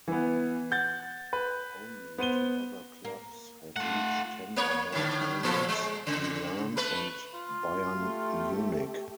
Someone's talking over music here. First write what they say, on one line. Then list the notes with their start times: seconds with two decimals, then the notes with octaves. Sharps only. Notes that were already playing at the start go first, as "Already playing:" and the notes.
Only two other clubs have reached ten or more finals: Milan and Bayern Munich.
0.08 E3 B3
0.71 F#5 G6 A6
1.33 B4
2.18 B3 C5 D#7 G7
3.05 A#3
3.76 A3 F4 F#5
4.56 A#3 C#5
4.92 A2 D3
5.43 A#2 F3 A4
5.69 G#3
6.07 C#3
6.77 A3 B4
7.35 F4
7.93 A3 G4